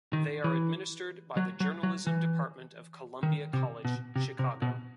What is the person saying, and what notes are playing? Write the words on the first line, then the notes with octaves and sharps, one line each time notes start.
They are administered by the Journalism Department of Columbia College Chicago.
D#3
E3
F#3
F#3
F#3
E3
D#3
C3
B2
C3
C3
B2